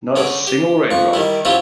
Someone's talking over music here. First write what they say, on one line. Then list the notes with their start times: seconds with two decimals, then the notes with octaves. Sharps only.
Not a single raindrop!
0.16 D3 C#4 G#4 C#5 D6
0.47 G4
0.91 F2 C#6
1.13 D#3 G3 E4
1.45 F#3 C4 C#4 E4 F4 G4